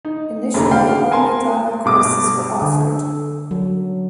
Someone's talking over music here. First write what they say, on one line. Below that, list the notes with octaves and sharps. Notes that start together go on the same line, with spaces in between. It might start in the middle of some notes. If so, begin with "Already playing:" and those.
Initially only drama courses were offered.
D#4
F1 C#3 A3 A#3 A#5
E1 D4 F#4 F5 G5
A#4 G#5 A5 C6
G2 B2 D6 D#6
D3
A4
F#3